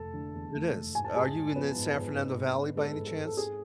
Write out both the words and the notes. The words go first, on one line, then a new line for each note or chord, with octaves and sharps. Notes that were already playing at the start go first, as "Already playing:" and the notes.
It is, are you in the San Fernando Valley by any chance?
Already playing: F1 A3 A4 A5
D3
E2
A3
F1
G#2 G#5
A5
G#2 G#4 G#5
G#3
F3 B3 B4
G#2
G#2
G#2
G#2
D4
G#3 A4
G#2
A4
G#2
A4
C4 G#4